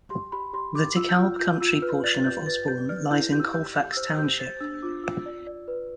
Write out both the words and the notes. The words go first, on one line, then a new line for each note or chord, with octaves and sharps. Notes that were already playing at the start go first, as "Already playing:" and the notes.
The DeKalb Country portion of Osborn lies in Colfax Township.
G4 C6
G4 B5
G4 C6
G4 D6
F4 E6
G6
F4 F6
F4 G6
F4 E6
B4 F6
D5 A6
G4 G6
B4 A6
G4 G6
D5 F6
E4 G6
G4 G6
E6
F6
G4 G6
G4 G6
E6
C5 F6
G4 G6
C5 A6
D4 E6
F4 D6
F4 E6
D5
D5
B4